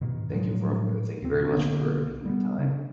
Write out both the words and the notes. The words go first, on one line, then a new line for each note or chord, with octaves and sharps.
thank you for thank you very much for making the time.
G#2 B2 D#3
A2 F3 F#3 G#3
D#1 C4
B1 D3 A#3 B3
G3 A#3 B3
C#3